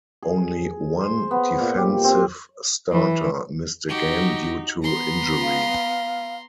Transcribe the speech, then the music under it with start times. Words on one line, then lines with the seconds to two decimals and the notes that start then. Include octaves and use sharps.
Only one defensive starter missed a game due to injury.
0.23 G#4
1.00 C5
1.31 B3
1.60 A#2
1.77 G4
2.04 C4
2.92 E3
3.88 D#4 F#4 G4
4.83 B3 A#5 C6
5.43 F5